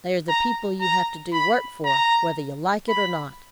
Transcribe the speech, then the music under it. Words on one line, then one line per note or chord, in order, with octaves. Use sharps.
They are the people you have to do work for, whether you like it or not.
A#5
A#5
B5
A#5
B5